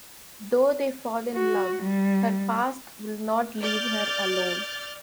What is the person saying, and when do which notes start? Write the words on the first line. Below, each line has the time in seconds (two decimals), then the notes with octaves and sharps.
Though they fall in love, her past will not leave her alone.
1.35 F#4
1.83 G3
3.62 D5 F6 G6 A6